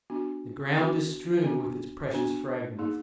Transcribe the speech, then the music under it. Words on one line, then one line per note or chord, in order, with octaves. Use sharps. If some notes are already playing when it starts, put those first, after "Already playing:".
The ground is strewn with its precious fragments.
B3 D4 F#4
B3 D4 F#4
B3 D4 F#4
B3 D4 F#4
A#3 D#4 G#4